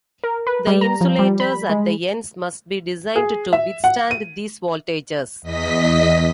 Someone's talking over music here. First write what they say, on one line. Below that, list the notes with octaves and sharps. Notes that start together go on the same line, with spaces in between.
The insulators at the ends must be designed to withstand these voltages.
A#4
B4
G3
A#5
F3
G3
B5
G#3
G#4
E5
F#5
D#7
E2 D#5 B6